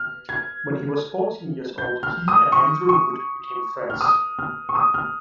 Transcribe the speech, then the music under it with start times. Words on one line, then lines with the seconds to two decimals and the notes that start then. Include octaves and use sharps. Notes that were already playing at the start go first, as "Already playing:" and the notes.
When he was fourteen years old, he and Andrew Wood became friends.
Already playing: F6
0.29 G#6
1.78 G6
2.03 F6
2.28 D#6
2.52 C#6
2.89 C#6
3.90 F6
4.01 D#6
4.39 F6
4.69 C#6
4.75 D#6
4.94 F6